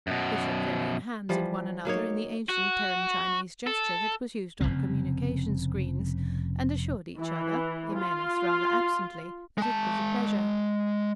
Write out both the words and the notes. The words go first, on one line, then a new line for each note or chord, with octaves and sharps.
They shook their own hands at one another in the ancient Terran-Chinese gesture that was used on communication screens, and assured each other--Jimenez rather absently--that it was a pleasure.
F#2 B2
E3 F3 G3
F#3 A#3 D#4 C#5
F#4
A4
F1 C#2 C#3 C4
E3
F4
G#3 A5